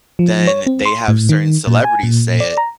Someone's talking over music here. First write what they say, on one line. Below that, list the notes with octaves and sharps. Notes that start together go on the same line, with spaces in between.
then they have certain celebrities say it,
F3
C#5
C4
C6
A2
D#3
A#2
G#5
A#2
D5
A#5